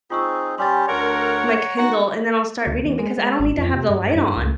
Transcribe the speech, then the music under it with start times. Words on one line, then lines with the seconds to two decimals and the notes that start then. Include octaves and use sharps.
my Kindle and then I'll start reading because I don't need to have the light on.
0.10 C4 D#4 F4 G#4 C#6 E6
0.58 G3 C#4 G4 C6 A6
0.88 D2 A#4 C#5 F#5 A#5
1.77 D#4 F#4 F#5 A#5 C#6
2.66 D2
2.85 E2
2.99 G#3
3.18 G#3
3.40 G#1
3.58 F2
3.74 C3
3.90 G2
4.16 G2
4.37 C#2